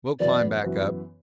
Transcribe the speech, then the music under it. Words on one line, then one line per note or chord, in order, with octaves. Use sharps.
We'll climb back up.
F#2 E3 B3 F#4 B4 D5
F#2 E3 B3 F#4 B4